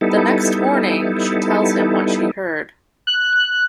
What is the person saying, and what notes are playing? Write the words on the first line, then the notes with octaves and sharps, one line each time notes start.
The next morning, she tells him what she heard.
G3 B3 D#4 E4 A4
F#6